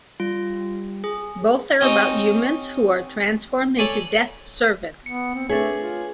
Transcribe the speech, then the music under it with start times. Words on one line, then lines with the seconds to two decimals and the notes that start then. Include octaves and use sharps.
Both are about humans who are transformed into Death's servants.
0.20 G3 F4
1.04 G#4
1.81 C4 C#4 D#4 G4 C5 C#5
3.78 A4 C#5 D5 G#5 B5
5.06 B3 C#7
5.35 C4
5.49 A3 D4 G#4 B4 C#5
5.78 F4